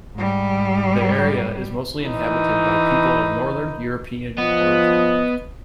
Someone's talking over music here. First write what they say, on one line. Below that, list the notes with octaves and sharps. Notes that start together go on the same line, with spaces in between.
The area is mostly inhabited by people of Northern European origin.
G#2 G3
E3 D#4
F3 B3 D#5